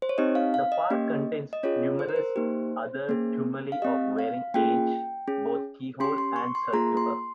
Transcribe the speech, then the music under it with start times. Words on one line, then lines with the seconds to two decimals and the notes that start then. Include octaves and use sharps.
The park contains numerous other tumuli of varying age, both keyhole and circular.
0.02 C5
0.09 C#5
0.18 C4 D#4 G4 D#5
0.35 F5
0.54 F5
0.72 D#5
0.90 A#3 C#4 G4
1.53 D#5
1.63 C#4 F4 G#4 C#5
1.99 C5
2.09 A#4
2.16 C5
2.36 A#3 D#4 G4
3.09 A#3 C#4 G#4
3.72 F5
3.82 C4 G4 D#5
4.19 F5
4.54 A#3 C#4 F4 G#4 G5
5.28 C#4 G#4
6.00 C#4 G4 C6
6.18 C6
6.36 C#6
6.55 C6
6.73 A#3 F4 G#4 A#5
6.97 C6